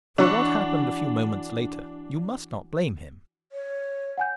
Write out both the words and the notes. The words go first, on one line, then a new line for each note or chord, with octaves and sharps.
For what happened a few moments later you must not blame him.
E3 D4 F#4 C#5
C#5
F#5 G#5 G6